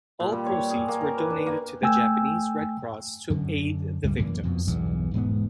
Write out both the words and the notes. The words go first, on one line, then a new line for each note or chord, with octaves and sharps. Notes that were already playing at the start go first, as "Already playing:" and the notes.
All proceeds were donated to the Japanese Red Cross to aid the victims.
A#2
G3
C#5
G#4
A#3
A#4
B4
D4
A#3
A3 G5 G#5 E6
F#2 D3
C#2 G2 F3 G3
F#2 E3 A#3
F2 B2
B1 E2 G2
E1 G#2 B3